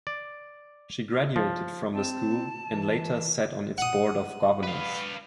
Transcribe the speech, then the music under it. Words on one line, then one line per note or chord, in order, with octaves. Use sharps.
She graduated from the school and later sat on its Board of Governors.
D5
F3
C4 A5
E3
F#5 D#6
B4 F5